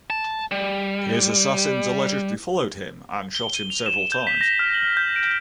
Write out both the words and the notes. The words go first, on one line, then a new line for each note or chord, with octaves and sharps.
His assassins allegedly followed him and shot him several times.
A5
G3
G7
D#7
F7
E7
G6
B6
A#6
F6
F#7
G6
D7